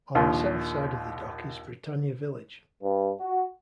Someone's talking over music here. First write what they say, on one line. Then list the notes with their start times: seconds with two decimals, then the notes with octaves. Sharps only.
On the south side of the Dock is Britannia Village.
0.15 A#1 D#2 F4
2.82 G2
3.20 F#4